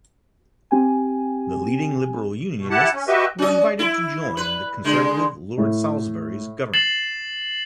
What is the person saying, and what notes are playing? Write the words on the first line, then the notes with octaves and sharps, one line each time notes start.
The leading Liberal Unionists were invited to join the Conservative Lord Salisbury's government.
C4 G4 G5 G#5
B2
E4 G4 F#5 A5
C#4
F#4 G4 B4 D#5 E5
C#4 D#5
E4
B4
D3 G#3
A2
A6 C7 E7 F#7